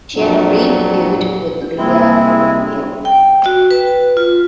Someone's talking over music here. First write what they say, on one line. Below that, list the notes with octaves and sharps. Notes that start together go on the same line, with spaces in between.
She had a brief feud with Leia Meow.
F2 A#2 F#3 D4
C2 G#3 A#3 C4 E4 G#4
G5
F#4
B4
F4